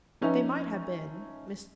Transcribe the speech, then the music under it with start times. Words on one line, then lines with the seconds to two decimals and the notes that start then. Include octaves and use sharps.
They might have been--Mrs.
0.21 F3 C#4 D#4 B4 E5